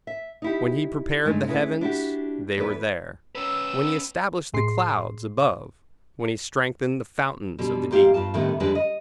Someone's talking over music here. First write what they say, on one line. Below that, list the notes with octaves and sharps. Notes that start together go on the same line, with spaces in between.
When he prepared the heavens, they were there; when he established the clouds above, when he strengthened the fountains of the deep.
E5
D#4 E4 G4
G2 G#3 A3 D4 D#4
C#4 E4 G#4 A#4 B4
D4 E4 F#4 G4
E2 E3 G3 A4 B4
C#4 B4 E6
A2 G#4 C6 C7
B2 D3 G3
G#2 G#3 G4 F5
G2 A#2 F4 A5
A2 D3 D#3 G3 A3 B3
F2 D3 G3 G#3 D4 B4
D#5